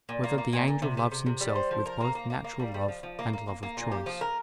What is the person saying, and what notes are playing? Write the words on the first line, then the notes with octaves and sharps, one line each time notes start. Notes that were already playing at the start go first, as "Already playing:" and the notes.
Whether the Angel Loves Himself with Both Natural Love, and Love of Choice?
A#2
A#3
A#3
A#2
A#2
C3
C3
C3
C3
G3
C5
F3
A#4
A#3
A#3
A#3
A#3
G3
G3
F3
F3
A#3
A#3
A#3
A#3
A#2
G4
F3
A#4